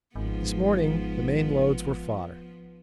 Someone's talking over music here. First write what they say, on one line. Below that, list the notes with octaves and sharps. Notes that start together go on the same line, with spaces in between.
This morning the main loads were fodder.
G#1 G#2 F3 B3